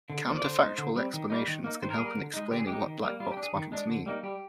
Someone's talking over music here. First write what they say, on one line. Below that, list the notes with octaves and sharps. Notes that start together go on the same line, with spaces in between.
Counter-factual explanations can help in explaining what black-box models mean.
D3
F3 A#3
D5
D3 C5
G#3 D#4
D3
G3 C4
D#3
G3 A#3 D#4
D#3
A#3 D#4
D#3 C5
A#4
G3 A#3 G#4
A#4
D3
G#3 D#4
D3 G4
G#4
G#3 G4
D#4
D#3
G3 A#3
G3 F4
G4
D4
G#4
D#3
G#3 D4
D3
G3 A#3 D#4
G3 G4